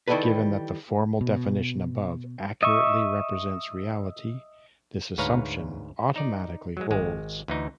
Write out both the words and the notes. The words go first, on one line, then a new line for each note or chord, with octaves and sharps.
Given that the formal definition above accurately represents reality, this assumption automatically holds.
D#3 E3 F#3 G3 A4 B4
B2
D#5 E5 C#6
D2 G#2 B4 C#5 F5 A#5
D#4 D5
F#3 G#3
G#1 G#3
D2 E3 D#4